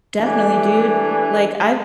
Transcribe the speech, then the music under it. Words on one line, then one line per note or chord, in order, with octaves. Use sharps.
Definitely, dude. Like I've
E3 A3 D4 G4 G#5